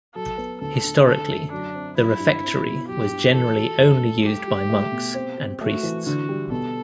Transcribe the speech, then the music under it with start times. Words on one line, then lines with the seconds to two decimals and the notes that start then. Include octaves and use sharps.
Historically, the refectory was generally only used by monks and priests.
0.15 F#3 A4
0.38 B3
0.60 D2 A4
0.84 D3
1.06 D3 A4
1.29 F#2
1.51 F#3 D4
1.74 C4
1.97 F#3 E4
2.20 G2
2.43 C4
2.65 B2
2.88 F#3 G4
3.10 G2
3.33 E3 A4
3.56 F#4
3.78 F#2
4.01 A3
4.24 G3 G4
4.48 G3
4.69 A3
4.92 B2
5.14 C4
5.38 C4
5.61 A3 F#4
5.83 E3
6.05 D3 F#4
6.29 G3
6.51 B2 A4